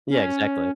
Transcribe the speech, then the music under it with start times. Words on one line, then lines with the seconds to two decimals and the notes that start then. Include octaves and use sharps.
Yeah, exactly.
0.10 C#4